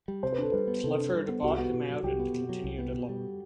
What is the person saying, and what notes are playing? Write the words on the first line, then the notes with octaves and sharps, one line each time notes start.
Clifford bought him out and continued alone.
G3
C3 C5
B4
D4 A4
G3 B4
B3
C3 A4
D4
G3
B3
C2 F#4
G4
B3 F#4
B2
F#3
C2 G4
B3
B2
F#3
C2
B3
B2
G3